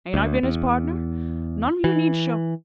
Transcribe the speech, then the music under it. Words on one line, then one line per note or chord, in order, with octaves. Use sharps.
Ain't I been his pardner? None of you need show.
D2
E2
E3